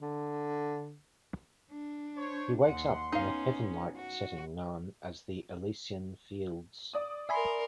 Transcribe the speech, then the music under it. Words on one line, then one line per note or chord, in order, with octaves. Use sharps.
He wakes up in a heaven-like setting known as the Elysian Fields.
D3
D4
C5 C#5
D#2 F#5 C6
B3 C#4 D#4 F5
F#4
D5 D#6
A#4 E5 G#5 B5 C6